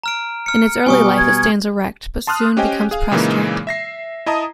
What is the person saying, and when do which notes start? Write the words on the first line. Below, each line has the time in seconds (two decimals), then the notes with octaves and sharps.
In its early life it stands erect, but soon becomes prostrate.
0.03 A#5 F6 D7
0.46 F6 C#7
0.86 B2 G3 B3 G#5 C#6 D#6
1.18 G#6
2.27 A5 C6 D#6 F6 F#6
2.57 C#4 G4 C5 D#5 G5 G#5
2.91 G#4 F5
3.11 A#2 C#3 E3 G#3 A#3 D#4
3.67 E5 A#6 C7
4.26 E4 D#5 A5 A#5 D#6